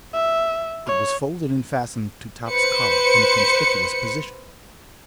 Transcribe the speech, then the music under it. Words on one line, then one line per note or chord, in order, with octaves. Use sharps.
It was folded and fastened to Top's collar in a conspicuous position.
E5
C#5
B4 C5 C#7